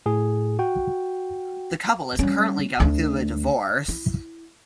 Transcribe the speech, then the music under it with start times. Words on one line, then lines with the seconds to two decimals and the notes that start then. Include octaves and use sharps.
The couple is currently going through a divorce.
0.06 A2 G#4
0.59 F#4 G5
2.19 G3 C#4
2.80 D2 D4
3.88 E4